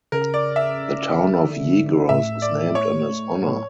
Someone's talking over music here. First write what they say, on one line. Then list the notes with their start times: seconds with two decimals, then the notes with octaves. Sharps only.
The town of Yegros is named in his honor.
0.12 C#3 A#4
0.34 D5
0.56 E5
1.44 D3
2.09 A2 E5
2.42 D5
2.75 C#5
3.41 A2